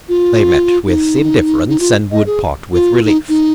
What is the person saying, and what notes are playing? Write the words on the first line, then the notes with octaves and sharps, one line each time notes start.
They met with indifference, and would part with relief.
F4
D#4
D#4
F4
D#5
G#4
F4
D#4
D#4